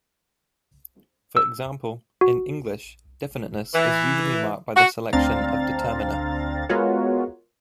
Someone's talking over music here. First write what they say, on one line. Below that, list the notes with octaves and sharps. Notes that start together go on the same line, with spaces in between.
For example, in English definiteness is usually marked by the selection of determiner.
E6
F#4
E3
F#4
D2 C4 D4 F5 A#5 A6
G#3 B3 F4 F#4 A#4 C#5